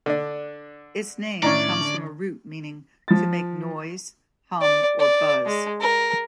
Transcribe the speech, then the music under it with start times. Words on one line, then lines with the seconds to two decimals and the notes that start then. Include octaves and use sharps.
Its name comes from a root meaning "to make noise, hum or buzz".
0.06 D3 D4
1.43 A2 D#3 C#4 D4 E4 D5 A#5
1.81 D3
3.08 F3 A6
4.62 D5
4.99 D5
5.45 G#3
5.81 A#4